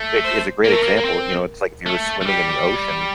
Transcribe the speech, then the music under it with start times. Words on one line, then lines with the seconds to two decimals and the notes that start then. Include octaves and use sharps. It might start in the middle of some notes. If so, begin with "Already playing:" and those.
It is a great example. You know, it's like if you're swimming in the ocean
Already playing: A3
0.24 C5
0.64 A#3 A#4
0.73 A3
0.83 A#3
0.97 A#3
1.05 C4
1.86 A3
2.21 A3
2.26 G3 G4